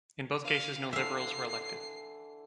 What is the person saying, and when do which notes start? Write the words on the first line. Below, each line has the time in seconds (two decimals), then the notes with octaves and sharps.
In both cases no Liberals were elected.
0.45 F5
0.93 D3 E3 E5 F5 C7